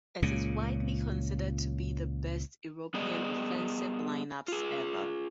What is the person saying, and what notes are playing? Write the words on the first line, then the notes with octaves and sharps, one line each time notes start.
It is widely considered to be the best European offensive lineups ever.
C#2 A#2 C#3
G3 B3 G#4 D5 D#5
F4 G#4